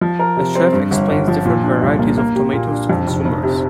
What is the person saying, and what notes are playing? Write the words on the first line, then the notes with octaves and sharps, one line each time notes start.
A chef explains different varieties of Tomatoes to consumers.
F3
A#4
C3
C4
G2
G1
G1
F3
A#2
D4
C2
A#3
A#3
G4
A#2
D4
F2
F1
F1
C3